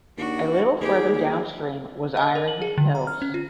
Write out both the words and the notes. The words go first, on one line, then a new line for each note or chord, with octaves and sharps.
A little further downstream was Iron Mills.
D#2 D4 F#4
D#2 A#3 G4 G#4
D#5
A#4
F#7
G#4
D3
A#5
F6
C#4
F4